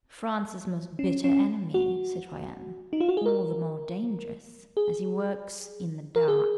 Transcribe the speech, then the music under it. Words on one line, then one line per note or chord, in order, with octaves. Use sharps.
"France's most bitter enemy, citoyenne . . . all the more dangerous, as he works in the dark."
C#4
C#4
F#4
D#4
F4
F#4
G#4
A#4
G#4
A#4
G#4